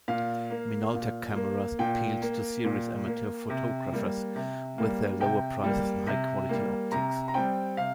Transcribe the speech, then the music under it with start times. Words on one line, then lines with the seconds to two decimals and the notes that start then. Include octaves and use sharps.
Minolta cameras appealed to serious amateur photographers with their lower prices and high-quality optics.
0.08 A#2 F5
0.50 A#3
0.94 A#2
1.36 A#3
1.79 A#2 G5
2.22 A#3
2.65 A#2
3.08 A#3
3.50 C3
3.93 G3 A#3
4.36 C3
4.78 G3 A#3
5.20 C3 G5
5.64 G3 A#3
6.07 C3
6.49 G3 A#3
6.92 C3 A#5
7.28 A#5
7.34 G3 C4 G5
7.77 C3 F5